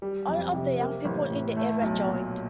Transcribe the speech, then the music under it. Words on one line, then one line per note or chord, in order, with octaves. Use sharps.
All of the young people in the area joined.
G3
F2
C3
A#3
A1
A2
A3
B1
A#2